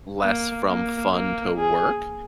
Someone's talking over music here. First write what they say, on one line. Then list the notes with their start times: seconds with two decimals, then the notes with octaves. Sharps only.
less from fun to work,
0.23 A#3
0.68 A#3
1.13 A#3
1.58 G#4